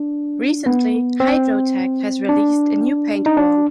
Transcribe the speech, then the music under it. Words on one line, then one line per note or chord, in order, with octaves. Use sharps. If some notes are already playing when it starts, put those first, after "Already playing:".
Recently, HydroTec has released a new paintball.
Already playing: D4
B3
C4
D4
D#4
D4